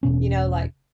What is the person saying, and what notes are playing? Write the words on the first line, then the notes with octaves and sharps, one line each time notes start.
you know, like
E1 B2 C#4